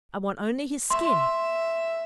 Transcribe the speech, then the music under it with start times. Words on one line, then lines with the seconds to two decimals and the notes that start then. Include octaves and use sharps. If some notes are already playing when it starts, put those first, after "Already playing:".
I want only his skin.
0.90 E5 C6